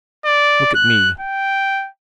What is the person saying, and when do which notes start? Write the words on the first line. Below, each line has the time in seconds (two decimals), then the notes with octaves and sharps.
Look at me.
0.25 D5
0.75 F#6
1.20 G5